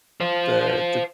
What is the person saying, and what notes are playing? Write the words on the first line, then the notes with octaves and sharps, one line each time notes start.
the the
C5 F5